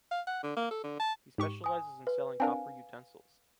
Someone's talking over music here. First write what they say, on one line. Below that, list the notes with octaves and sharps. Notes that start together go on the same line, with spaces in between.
He specializes in selling copper utensils.
F5
F#5
D3
A#3
A4
D3
A5
G#2 G4 C#6
G#5 D#6
B4
C4 D4 A#4 F5 G#5